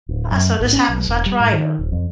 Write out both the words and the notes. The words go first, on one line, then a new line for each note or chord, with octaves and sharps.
I so this happened, so I tried her.
D1
F#2
G#1
C#4
B1
E1
G3
G#2
D#3
D#1
F2